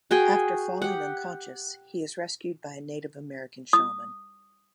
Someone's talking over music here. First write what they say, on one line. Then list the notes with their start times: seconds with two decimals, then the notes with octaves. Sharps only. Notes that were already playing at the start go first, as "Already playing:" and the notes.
After falling unconscious, he is rescued by a Native American shaman.
0.11 F#4 G#4 G5 G#5
0.82 G4 F#5
3.73 D#6